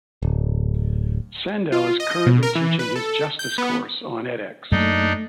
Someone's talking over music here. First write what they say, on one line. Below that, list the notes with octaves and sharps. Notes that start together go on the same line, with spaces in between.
Sandel is currently teaching his Justice course on edX.
D1
F4
D#5
B2
A#4
E3
B4
A4
G6
B3
F#2 F#3 A3 A#3 D4 D#4